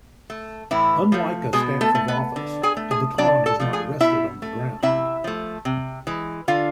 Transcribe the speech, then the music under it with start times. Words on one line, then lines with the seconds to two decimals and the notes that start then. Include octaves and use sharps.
Unlike a staff of office, a baton is not rested on the ground.
0.30 A3
0.71 A2 E3 E4
1.12 F3 A3
1.53 B2 G#3 G#4
1.81 A3 A4
1.95 A3
2.08 B3 B4
2.36 D3
2.63 G#4 G#5
2.77 A3
2.91 G#4 G#5
3.18 C3 D4 D5
3.46 A4 A5
3.60 F3 A3
3.73 G#4 G#5
4.00 B2 E4 E5
4.42 A3
4.83 C3 E4 E5
5.24 F3 A3
5.65 C3
6.07 E3 G#3
6.48 D3 F4 F5